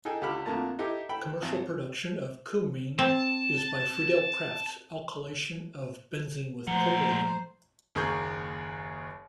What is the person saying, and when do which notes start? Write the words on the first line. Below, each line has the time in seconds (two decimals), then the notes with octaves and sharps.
Commercial production of cumene is by Friedel-Crafts alkylation of benzene with propylene.
0.05 D#4 G#4 A4 G5 G#5
0.22 C#2 D3 G4 A4 B5 F6
0.45 F2 D3 A3 A#3 A5 A#5
0.79 D#4 E4 G4 A4
1.09 A4 G5 B5
1.42 G#1
2.99 C4 A5
6.67 A#2 F3 A3 C5 F#5 A#5
7.95 F#1 D#2 G#4 A#4 C#6 G6